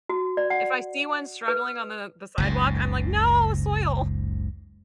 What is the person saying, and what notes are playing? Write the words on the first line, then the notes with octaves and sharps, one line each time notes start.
If I see one struggling on the the sidewalk, I'm like no soil.
F#4
D5
F#5
B4
F#1 C#2 G#2